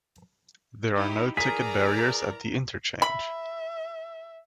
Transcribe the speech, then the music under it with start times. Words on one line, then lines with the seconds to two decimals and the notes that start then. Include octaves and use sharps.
There are no ticket barriers at the interchange.
0.95 D#4 E4 G4
1.37 E3 G#4 A#4 D5 A#5 B6
3.02 E5 B5